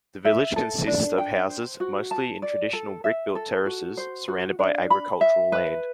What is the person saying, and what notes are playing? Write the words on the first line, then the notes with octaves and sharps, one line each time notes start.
The village consists of houses, mostly in traditional brick-built terraces, surrounded by agricultural land.
E5
A4
D4
G5
C5
F#4
A5
D5
A4
E5
A4
F#4
C5
F#4
D4
B5
E5
B4